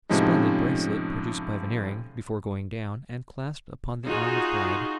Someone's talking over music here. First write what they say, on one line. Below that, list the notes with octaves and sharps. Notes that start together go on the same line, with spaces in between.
Splendid bracelet, produced by Veneering before going down, and clasped upon the arm of bride.
A2 C3 F3 G#3 C#4 D#4
D#4 F4 F#4 G#4